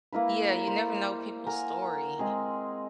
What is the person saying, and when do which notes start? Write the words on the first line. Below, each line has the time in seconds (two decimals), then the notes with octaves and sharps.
Yeah, you never know people's story.
0.13 A#3 E4 A#4 B4
0.68 C5
1.47 A#4 F#5 G#5
2.19 G#3 C4 G#4